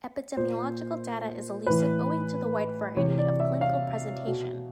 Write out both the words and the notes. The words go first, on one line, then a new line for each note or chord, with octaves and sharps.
Epidemiological data is elusive owing to the wide variety of clinical presentation.
A#2 C5
A2 E3 B4
C3 E3 C#5
D5
E5
F5
B2